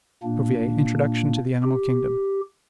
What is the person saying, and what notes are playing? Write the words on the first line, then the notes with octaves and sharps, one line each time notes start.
Cuvier: Introduction to the Animal Kingdom.
A#2 A#3 D4
G4